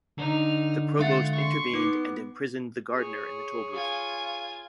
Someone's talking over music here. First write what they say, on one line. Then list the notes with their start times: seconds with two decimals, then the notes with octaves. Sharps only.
The Provost intervened and imprisoned the gardener in the Tolbooth.
0.17 D3 D#4 F6
0.99 G#3 F4 E5 F#5 A6
1.33 C6 C#6
1.74 B3 D#4 D6
2.94 G#4 C#5
3.74 F4 G#5